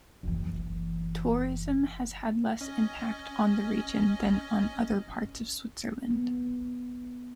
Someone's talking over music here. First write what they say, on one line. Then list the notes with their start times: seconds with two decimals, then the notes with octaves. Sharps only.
Tourism has had less impact on the region than on other parts of Switzerland.
0.23 F#1 E3
2.61 C#4 D#5
6.11 B3